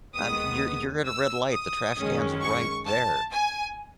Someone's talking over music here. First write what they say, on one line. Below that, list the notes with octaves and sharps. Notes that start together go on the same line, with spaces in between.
Um, you're you're at a red light, the trash can's right there.
D#2 D#3 G#3 B3 D#6
E6
D#6
F#2 D#3 G#3 C#4
C#6
A5
G#5